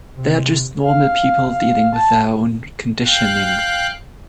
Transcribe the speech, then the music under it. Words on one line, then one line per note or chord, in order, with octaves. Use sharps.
They are just normal people dealing with their own conditioning.
C3
F5
F5
A5
F5 G5 F#6